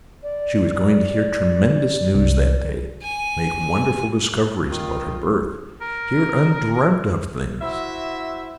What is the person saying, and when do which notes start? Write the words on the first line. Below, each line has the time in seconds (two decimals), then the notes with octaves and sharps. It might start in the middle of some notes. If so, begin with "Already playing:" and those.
She was going to hear tremendous news that day; make wonderful discoveries about her birth; hear undreamt-of things.
0.23 D5
2.15 C2
3.03 G#5
4.64 D#3 F4
5.81 A#4
7.62 E4 F#4 C5 E5